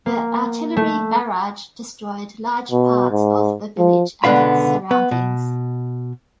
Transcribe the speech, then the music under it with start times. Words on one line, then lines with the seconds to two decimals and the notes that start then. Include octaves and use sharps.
The artillery barrage destroyed large parts of the village and its surroundings.
0.06 A#3
0.76 A3
2.71 B2
3.11 G#2
3.78 F3
4.24 C#2 B2 D3 B3 F5 B5
4.91 B3
5.11 B2